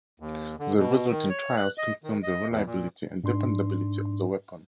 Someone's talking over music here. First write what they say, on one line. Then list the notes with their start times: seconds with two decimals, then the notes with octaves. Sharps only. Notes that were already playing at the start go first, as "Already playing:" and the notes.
The resulting trials confirmed the reliability and dependability of the weapon.
0.20 D#2
0.59 D3
0.78 B2
1.10 D#3
1.29 C#5
1.57 F#6
1.78 D#5
2.04 D#3
2.23 D#5
2.50 E2
2.66 A#2
3.24 G#2 D4 C6